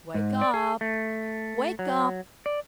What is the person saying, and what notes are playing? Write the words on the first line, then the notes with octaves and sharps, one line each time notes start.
"Wake up! Wake up!"
G#2
D5
G#4
A3
F#3
D5